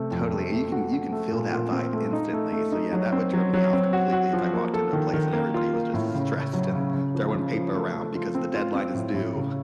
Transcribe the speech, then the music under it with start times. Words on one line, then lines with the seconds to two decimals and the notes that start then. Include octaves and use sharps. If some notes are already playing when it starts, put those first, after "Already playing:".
Totally, you can you can feel that vibe instantly, so, yeah, that would turn me off completely if I walked into a place and everybody was just stressed, and throwing paper around because the deadline is due.
Already playing: C3 A3
0.11 F2
0.31 A3
0.52 A3
0.72 F#4
0.93 F#4
1.12 A3
1.32 A#2
1.52 A#2
1.72 C4
1.93 A3
2.13 D#4
2.33 A3
2.52 A3
2.72 D#4
2.93 F#3
3.12 C4
3.34 F#3
3.54 F#3
3.73 C4
3.93 F#4
4.13 F#4
4.33 F3
4.53 A#3
4.74 A4
4.93 D#3
5.13 D#3
5.33 A#3
5.54 F4
5.73 A#3
5.94 A2
6.14 C#3
6.34 C#3
6.53 F#3
6.73 C#3
6.94 C#3
7.15 F3
7.35 C#3
7.54 F3
7.74 A3
7.95 A3
8.15 F4
8.35 C4
8.54 F4
8.75 C4
8.94 A2
9.14 A2
9.35 C#3